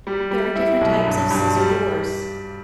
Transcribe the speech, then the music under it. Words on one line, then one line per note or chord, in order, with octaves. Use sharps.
There are different types of scissor doors.
G3
G3
E4
B1
G2
G2
G3